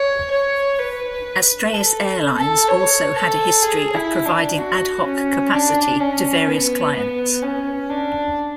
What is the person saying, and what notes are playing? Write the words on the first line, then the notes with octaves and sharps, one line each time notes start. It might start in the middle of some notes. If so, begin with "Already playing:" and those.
Astraeus Airlines also had a history of providing ad-hoc capacity to various clients.
Already playing: C#5
C#5
B4
A4
A4
C#5
A4
G#4
E4
D4
F#4
C#4
D4
C#4
B3
B3
C#4
D4